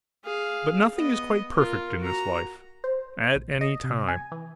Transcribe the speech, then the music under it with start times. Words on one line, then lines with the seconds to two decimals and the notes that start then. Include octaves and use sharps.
But nothing is quite perfect in this life, at any time.
0.24 G#4 F5
0.96 B3 D#5
1.53 F4 A#4
2.00 F#4 A#5
2.84 C5
3.35 A#1
3.61 D#5
3.84 C3
4.08 G#5
4.32 E3